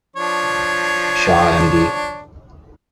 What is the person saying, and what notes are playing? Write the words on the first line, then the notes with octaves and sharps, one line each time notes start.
Shah Md.
F3 D4 C#5